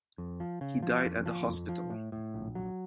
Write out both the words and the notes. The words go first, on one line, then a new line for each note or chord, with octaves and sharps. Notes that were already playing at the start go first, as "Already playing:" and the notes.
He died at the hospital.
F2
F3
C#3
F3
F2
F3
F2
F3
A2
A2
A#1
F#3